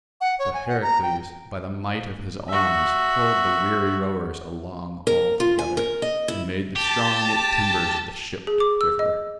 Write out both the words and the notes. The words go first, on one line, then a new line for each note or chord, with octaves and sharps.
But Heracles by the might of his arms pulled the weary rowers along all together, and made the strong-knit timbers of the ship to quiver.
F#5
C#5
G#5
F#5
A#5
G5
F#4 E5
A#4
F4
G#5
A#4
D#5
E4
G4 A5
G#4
D6
E6
D#5